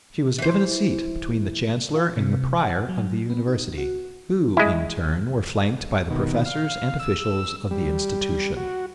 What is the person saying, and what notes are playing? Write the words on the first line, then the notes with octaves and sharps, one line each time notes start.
She was given a seat between the chancellor and the prior of the university, who, in turn, were flanked by the professors and officials of the institution.
E3 C5
F4
C3
F#5
F#3
B3
D#4
F#4
G#3 E4
B2 D#3
F5
E6
G3
F#4